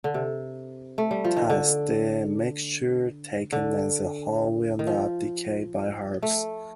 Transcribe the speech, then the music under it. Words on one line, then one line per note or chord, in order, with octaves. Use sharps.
Thus, the mixture taken as a whole will not decay by halves.
D3
C3
A3
G3
F3
D#3
D3
D3
D#3
F3
A3